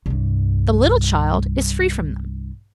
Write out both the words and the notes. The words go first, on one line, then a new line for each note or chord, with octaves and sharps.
The little child is free from them.
C2 G2